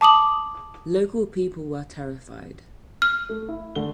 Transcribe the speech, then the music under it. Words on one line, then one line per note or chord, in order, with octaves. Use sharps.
Local people were terrified.
A5 D6 D#6 F#7
F6
A3
E4
D3 A3 G7